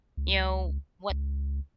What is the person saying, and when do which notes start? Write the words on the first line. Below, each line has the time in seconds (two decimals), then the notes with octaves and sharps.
you know, what
0.17 C#2
1.10 C#2